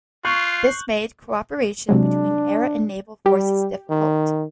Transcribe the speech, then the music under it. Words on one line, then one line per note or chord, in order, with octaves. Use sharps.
This made cooperation between air and naval forces difficult.
F4 C#6 F#6 G6 C7 F#7
C3 F#3 G#3 D4
G3 G4
D#3